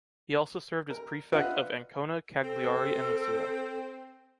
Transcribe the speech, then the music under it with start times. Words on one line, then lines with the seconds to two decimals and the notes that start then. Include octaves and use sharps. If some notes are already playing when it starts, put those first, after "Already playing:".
He also served as prefect of Ancona, Cagliari, and Messina.
0.90 A#4
1.32 D4 F4 B4 D#5 E5 F#5
2.43 C4 A4